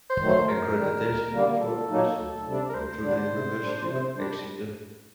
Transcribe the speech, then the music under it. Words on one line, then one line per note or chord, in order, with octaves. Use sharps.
Accreditation is organised through the University of Exeter.
C5
D#3 F#3 A3
C5
F#2 A#4
D#3 G3
D#2
D3 G3 A#3
A#2 A4
F#3 A#3 D#4
D2
C3 G3 D4
A#4
D2 C5
D3 G3 D4
C3
G3 D4
C3
G3 D4